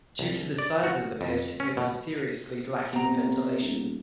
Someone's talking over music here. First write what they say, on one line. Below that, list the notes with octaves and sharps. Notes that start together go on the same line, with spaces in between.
Due to the size of the pit, it was seriously lacking ventilation.
C2
D5
F#4
F2
C#4
B2
C3 B3 G5 A#5
D#1